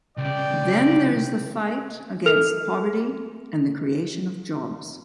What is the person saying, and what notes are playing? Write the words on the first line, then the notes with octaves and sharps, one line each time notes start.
Then there is the fight against poverty and the creation of jobs.
C2 C#3 D5 G5
A4 A#4 F6 F7